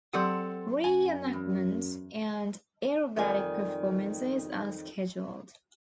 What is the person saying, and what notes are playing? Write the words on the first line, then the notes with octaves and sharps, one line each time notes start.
Re-enactments and aerobatic performances are scheduled.
F#3 C4 G4 A4 F#5
F#2 G#5
E2
F2 D#3 G3 C5 D5 G#5